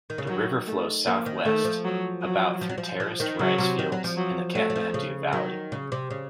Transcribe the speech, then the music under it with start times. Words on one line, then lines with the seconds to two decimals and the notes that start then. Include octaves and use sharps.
The river flows southwest about through terraced rice fields in the Kathmandu Valley.
0.10 D#3
0.18 C#3
0.27 D#3 F#3
0.67 A3
1.06 F3 A#3
1.26 D#3
1.45 D#3 A3
1.65 F3
1.84 F#3
2.22 F#3
2.61 F3
2.69 F#3
2.78 F3
3.00 F3
3.20 D#3
3.39 C#3 F#3
3.58 C3
3.79 D#3
3.92 F#3
4.04 F3
4.17 F#3
4.55 F#3 A3
4.70 F#3
4.76 F3
4.94 C#3
5.33 D#3 F#3
5.72 C#3
5.92 C3
6.10 C#3